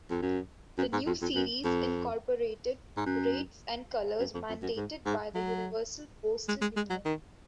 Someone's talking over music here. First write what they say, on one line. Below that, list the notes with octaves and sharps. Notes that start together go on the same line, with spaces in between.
The new series incorporated rates and colors mandated by the Universal Postal Union.
F2
F#2
F#2
G#2
F2
F2
F#2
F2
G#2
F#2
F#2
F2
F2
F#2
G#2
G#2
F#3
G#3
G#3
G#3
F#3
D#3